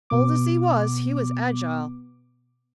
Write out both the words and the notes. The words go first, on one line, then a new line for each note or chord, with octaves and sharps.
Old as he was, he was agile.
B2 B3 D6